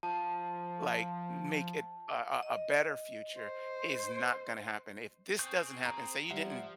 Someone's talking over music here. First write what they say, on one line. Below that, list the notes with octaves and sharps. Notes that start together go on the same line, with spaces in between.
like, make it a a a better future, is not gonna happen. If this doesn't happen say you didn't,
F3 A5
D#5
C5
C4 G#4 C#6 G6
A#5
F3 G3 E5 F#5